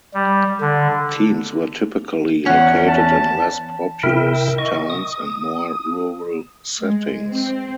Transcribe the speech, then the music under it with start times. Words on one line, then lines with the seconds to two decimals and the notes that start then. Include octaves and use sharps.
Teams were typically located in less populous towns and more rural settings.
0.14 G3
0.61 D3
2.46 E2 C#4 F#5
2.88 A5
4.03 C3 E4 A#4 E5 G5
4.58 D#5 C#6
4.90 D#6
6.81 G#3
7.31 C4